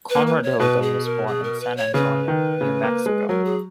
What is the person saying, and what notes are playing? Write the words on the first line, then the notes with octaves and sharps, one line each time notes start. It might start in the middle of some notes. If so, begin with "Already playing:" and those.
Conrad Hilton was born in San Antonio, New Mexico.
B4
A#3
B4
C#5
B2 B4
G#4
A#4
G#4
A#4
B4
C#5
C#3 B4
D#3
C#3
A#3
G#3
F#3 A#4
G#4